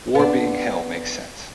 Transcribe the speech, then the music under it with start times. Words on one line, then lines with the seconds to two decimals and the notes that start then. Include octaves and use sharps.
War being hell makes sense.
0.15 B3 D4